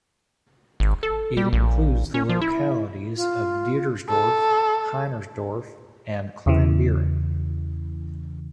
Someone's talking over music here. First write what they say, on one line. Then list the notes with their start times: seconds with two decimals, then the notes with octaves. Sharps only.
It includes the localities of "Diedersdorf", "Heinersdorf" and "Kleinbeeren".
0.80 G#1
1.03 A4
1.37 G3
1.53 A#1
2.14 C#4
2.29 F3
2.41 E4
3.16 F4
4.09 A4
6.46 E2 C#3 E3